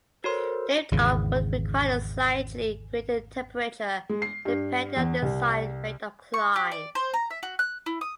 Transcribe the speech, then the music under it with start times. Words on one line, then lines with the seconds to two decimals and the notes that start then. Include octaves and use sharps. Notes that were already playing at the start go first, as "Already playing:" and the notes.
Liftoff would require a slightly greater temperature, depending on the desired rate of climb.
0.24 F#4 A4 A#4 C5 C#5 C6
0.91 G#1 E2 C#3
4.09 G#3
4.22 C7
4.45 G2
4.96 E2
5.23 C2
6.34 C#6
6.56 G4
6.72 D5
6.95 C5
7.14 A#5
7.30 E5
7.43 F#4
7.59 F#6
7.86 E4
8.01 D#6